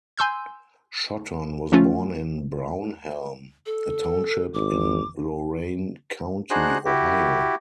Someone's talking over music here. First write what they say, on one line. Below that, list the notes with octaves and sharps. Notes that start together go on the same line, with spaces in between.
Shotton was born in Brownhelm, a township in Lorain County, Ohio.
G#5 C6 E6 G6
F3 A3 C#4 F4
A4
G#1 D6
D4 D#4 F#4 G#4 C5 F#6
E4 F#4 G4